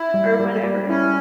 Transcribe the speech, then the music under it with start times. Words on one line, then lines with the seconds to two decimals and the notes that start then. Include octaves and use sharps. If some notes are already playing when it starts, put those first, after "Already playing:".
or whatever."
Already playing: E4
0.14 G3
0.40 G3
0.64 G3
0.88 C#4 E4